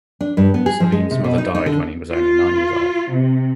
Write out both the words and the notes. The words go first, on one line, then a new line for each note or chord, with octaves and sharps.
Salim's mother died when he was only nine years old.
D4
G2
B3
G#4
F3
G#3
C3
B2
D#4
D#4
D3
F4
C3